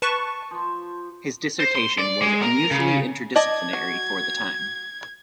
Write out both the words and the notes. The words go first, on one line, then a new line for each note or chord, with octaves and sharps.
His dissertation was unusually interdisciplinary for the time.
B4 A5 C#6
F3
C5
C6
D5
G#3
A#4
C#3
D5 D#5 A5 G#6
F#4